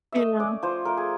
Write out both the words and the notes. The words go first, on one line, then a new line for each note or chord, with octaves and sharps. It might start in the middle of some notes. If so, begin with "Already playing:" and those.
You know.
A3 D#5 E5
C#4 D5
F3 C5
A3 A#4
G#4